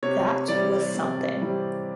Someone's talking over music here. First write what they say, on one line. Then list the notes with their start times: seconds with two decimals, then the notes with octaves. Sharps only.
That was something.
0.03 C3 C#5
0.48 E3 G3 C4 D5
0.95 C3
1.41 E3 G3 C4